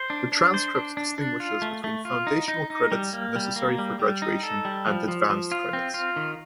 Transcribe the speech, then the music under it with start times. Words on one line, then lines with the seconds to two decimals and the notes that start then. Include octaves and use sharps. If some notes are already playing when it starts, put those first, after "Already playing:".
The transcript distinguishes between "foundational credits" necessary for graduation and "advanced credits".
Already playing: C5
0.10 D4
0.32 D4
0.54 C5
0.75 D4
0.97 D4
1.18 D4
1.40 F4
1.62 A3
1.84 A3
2.05 F4
2.27 D#4
2.48 D#4
2.70 D#4
2.92 G3
3.13 A#3
3.35 G3
3.56 A#3
3.78 G3
3.99 G3
4.22 D#4
4.43 A4
4.65 G3
4.87 F3
5.08 F3
5.30 F3
5.52 F4
5.73 C4
5.94 F4
6.16 D#3